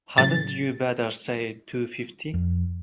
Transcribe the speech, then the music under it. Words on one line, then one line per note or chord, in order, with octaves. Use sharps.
Hadn't you better say two fifty?
A2 C#3 F#3 A6
F2